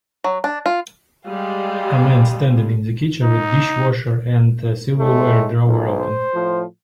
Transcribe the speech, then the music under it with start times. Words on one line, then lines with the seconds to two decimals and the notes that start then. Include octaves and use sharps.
A man standing in a kitchen with dishwasher and silverware drawer open.
0.24 F#3
0.44 D4
0.66 F4
1.27 G3 G#3 F5 G5
3.23 D#4
4.99 A2 G#3 A3
5.66 B1
5.99 C5
6.34 A2 F3